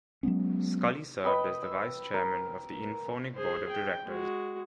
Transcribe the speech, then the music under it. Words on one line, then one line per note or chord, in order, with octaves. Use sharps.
Sculley served as the vice chairman of the InPhonic board of directors.
F#3 G#3 B3 C#4
B4 D#5 G5 B5
E6
A#4
G#4 C5
G5
G#3 F#4